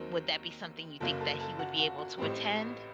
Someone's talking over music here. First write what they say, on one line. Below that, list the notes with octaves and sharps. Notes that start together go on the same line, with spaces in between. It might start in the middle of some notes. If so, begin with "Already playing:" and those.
would that be something you think that he would be able to attend?
Already playing: D#2 D#3 F#3 C4 A#4
F#1 F#2 F#3 A#3 A4
A4
A4
F#4
F#4
F#4
A1 A2 G3 C4 G4